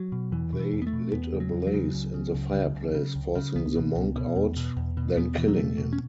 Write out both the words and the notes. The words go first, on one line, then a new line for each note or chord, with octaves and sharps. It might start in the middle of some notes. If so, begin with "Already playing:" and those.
They lit a blaze in the fireplace, forcing the monk out then killing him.
Already playing: F#3
B2
E2 E3
B2
E3
E2
B3
A3
B2
E2 B3
C#3
F#3
E2
F#3
C#3
C#2
C#3
C#2
C#3
C#2
C#3
C#2
C#3
C#2 B3
B2
C#2
B2
E2
B2
E2
B2
E2 B3
B2 E3
F#3
E2 A3
B2
C#4